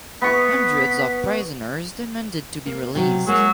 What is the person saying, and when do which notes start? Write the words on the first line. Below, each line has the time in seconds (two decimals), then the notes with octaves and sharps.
Hundreds of prisoners demanded to be released.
0.22 B3 C#6 B6
2.66 A#3
2.95 C3 F#3
3.27 F#3 G#3 A#3